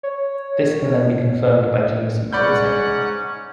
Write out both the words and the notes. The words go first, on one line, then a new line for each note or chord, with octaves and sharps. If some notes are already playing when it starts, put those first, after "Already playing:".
This can then be confirmed by gene sequencing.
C#5
G#2 C#4 D5 F#5 B5 F#6 G6